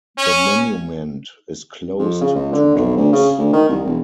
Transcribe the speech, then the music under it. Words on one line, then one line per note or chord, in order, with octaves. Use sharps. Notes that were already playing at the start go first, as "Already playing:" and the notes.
The monument is closed to dogs.
C#4
F2
C#3
C#2
D3
B1
D2
C#3
D2
D#3
C2
E1